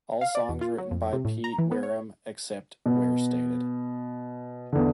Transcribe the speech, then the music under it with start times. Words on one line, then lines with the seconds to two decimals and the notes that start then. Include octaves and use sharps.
All songs written by Pete Wareham except where stated.
0.21 F5
0.35 D5
0.49 E2
0.61 F4
0.78 F#3
0.91 F2
1.13 C3
1.25 A2
1.44 A#5
1.59 E3
1.72 B3
1.83 C#5
2.86 B2
4.73 E2 D3